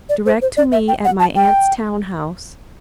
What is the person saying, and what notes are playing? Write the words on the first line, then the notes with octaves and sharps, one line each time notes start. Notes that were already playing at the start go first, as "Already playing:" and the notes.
Direct to me at my aunt's town house.
D5
C5
C5
D5
E5
G5
F#5
A5
G5